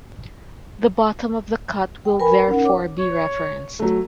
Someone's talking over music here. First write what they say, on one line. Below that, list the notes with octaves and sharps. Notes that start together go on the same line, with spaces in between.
The bottom of the cut will therefore be referenced.
G5
A#4 B4 G#5 B5
C#4 D#4 A#4 F#5
C#5 D6
C#5
F#3 A3